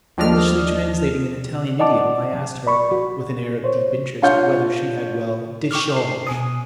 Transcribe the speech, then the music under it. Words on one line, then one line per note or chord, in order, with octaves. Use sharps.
Foolishly translating an Italian idiom, I asked her, with an air of deep interest, whether she had well 'decharge'?
D#2 F3 D4 D#5 F6
D5 D#5 F#5 A5 D6
D5 B5 C#6
F#4
C5 C#5
D4 F4 C#5 F5 G6
G5 C#6 D6 F6
C7
B2 G#5 D#6